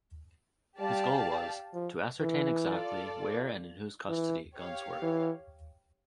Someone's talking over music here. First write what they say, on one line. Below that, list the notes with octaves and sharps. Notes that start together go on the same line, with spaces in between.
His goal was "to ascertain exactly where and in whose custody" guns were.
G3 G4 D5 F5 A5
F3
E3
F4 A4 D5
E3
G4 C#5 F5
E3